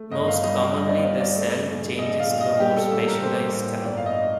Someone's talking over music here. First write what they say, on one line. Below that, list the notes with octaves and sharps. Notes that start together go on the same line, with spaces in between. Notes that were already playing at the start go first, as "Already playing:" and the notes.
Most commonly the cell changes to a more specialized type.
Already playing: A3
G1 D#5
F5
G3 D#5
D#5
G3 D#5
D5
G1 D5
D5
A3
A#1
A#1 D#5
F5
A#2
D#5
G3 G4
A4
A1 A4
A#4
A#3 C5
A2
G1 D5
F5
D#5